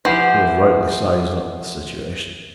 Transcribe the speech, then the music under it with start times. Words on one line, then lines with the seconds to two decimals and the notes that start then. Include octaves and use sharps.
He had rightly sized up the situation.
0.05 E3 F3 G4 C5 F#5